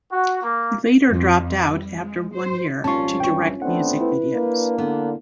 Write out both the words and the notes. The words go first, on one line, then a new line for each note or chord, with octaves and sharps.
He later dropped out after one year to direct music videos.
F#4
A#3
F2
G3
G#3
C5
G#1 A#2 F3 G3 C#4 F4 A5 C#6
G2 G5 C#6
A3 B3 C4 D4 F#5
E4 B4
A#3 D4
D3 B3